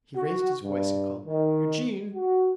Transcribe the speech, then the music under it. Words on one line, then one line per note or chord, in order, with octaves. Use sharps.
He raised his voice and called 'Eugene!
F#4
G2
D#3
F#4